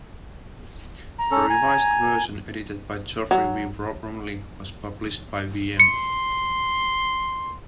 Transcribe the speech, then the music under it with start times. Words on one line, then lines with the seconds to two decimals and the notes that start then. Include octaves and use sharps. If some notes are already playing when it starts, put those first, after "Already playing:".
A revised version, edited by Geoffrey W. Bromiley, was published by Wm.
1.19 A#5
1.31 C#4 A4
1.50 G#5
3.31 F#3
5.80 C6 C#7